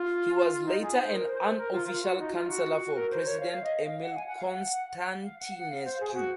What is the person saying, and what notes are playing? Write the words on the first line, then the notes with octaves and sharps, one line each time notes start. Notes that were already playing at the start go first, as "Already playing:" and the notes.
He was later an unofficial counselor for president Emil Constantinescu.
Already playing: F4
D#4
G#4
C5
A#4
C5
C5
A#4
F4
F4
F#4
D#4
F4
F#4
A#4
C5
C#5
F5
D#5
F5
F#5
G#5
F#5
F5
F#5
F5
F#5
F#5
F5
C5
G#4
F#4